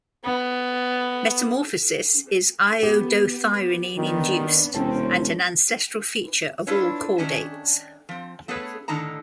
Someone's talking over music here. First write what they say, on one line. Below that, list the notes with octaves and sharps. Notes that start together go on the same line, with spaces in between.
Metamorphosis is iodothyronine-induced and an ancestral feature of all chordates.
B3
B3 G4
D#3 B3 D4
E1 C3 C4 C#4 A5
D4 E4 F4 B4 C#5
D#3 C#4 D4 E5 G#5
F3 C4
A3 B3 G#4 A4 B4 C#5
A2 D3 D#3 D#4 A5 A#5